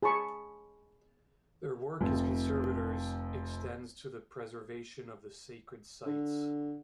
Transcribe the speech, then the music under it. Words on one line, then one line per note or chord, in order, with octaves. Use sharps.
Their work as conservators extends to the preservation of the Sacred Sites.
G#4 A5 B5 C#6
F1 F2
D3